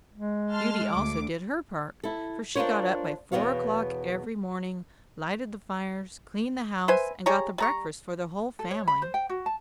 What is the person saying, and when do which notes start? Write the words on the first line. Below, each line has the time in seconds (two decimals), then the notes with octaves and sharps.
Beauty also did her part, for she got up by four o'clock every morning, lighted the fires, cleaned the house, and got the breakfast for the whole family.
0.14 G#3
0.54 A5 C6 F6
0.92 D2 D6
2.03 E4 A4
2.55 D4 F4 F#4 A#4 C5 C#5
3.32 E2 B2 B3 C#5 F5
6.88 B4 C5 E5 G#5
7.26 G4 G#4 C#5 A#5
7.58 G3 A#5 C#6
8.59 A4
8.71 C#5
8.88 B5
9.02 C5
9.14 G5
9.29 F#4
9.46 A5